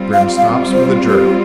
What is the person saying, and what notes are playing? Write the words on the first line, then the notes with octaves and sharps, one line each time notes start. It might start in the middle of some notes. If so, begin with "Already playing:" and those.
Grim stops with a jerk.
Already playing: G3 C4 F4
F5
F5
C5
G4